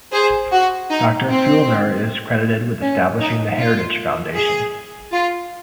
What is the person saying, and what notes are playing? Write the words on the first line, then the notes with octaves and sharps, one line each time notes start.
Doctor Feulner is credited with establishing The Heritage Foundation.
G#4 C5
F#4
D#4
C4
C#4
D#4
F4
G#4
F4